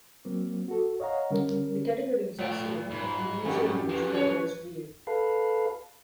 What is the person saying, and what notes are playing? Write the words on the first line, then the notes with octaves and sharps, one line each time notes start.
The categories are seen if the user use "Details" view.
F#3 A#3 C4
F#4 A4
C#5 D#5 F5 F#5 A#5
D3 G3 C#4 A#4
A2 A3 G5
G#2 B5
F2 G4
D3 F3 B4
C#4 C#5
A4 B4 F5